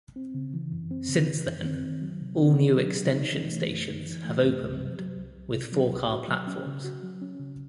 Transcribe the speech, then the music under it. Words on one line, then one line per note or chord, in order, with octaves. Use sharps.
Since then, all new extension stations have opened with four-car platforms.
C4
C#3
E3
F#2
C4
C#3
E3
F#2
C4
D#3
F#3
C3
C4
D#3
F#3
C3
D#4
E3
A3
F#2
D#4
E3
A3
F#2
C2
C3
F#3
C2
C2
C3
F#3
C2
F#4
F#3
C#4
C#3
F#4
F#3
C#4
C#3